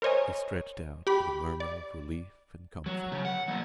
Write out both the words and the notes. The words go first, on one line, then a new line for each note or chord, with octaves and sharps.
He stretched out with a murmur of relief and comfort.
A#4 C5 C#5 D#5 G#5
G4 B5
D5
F#3
C#3
F#5
F#3 A#3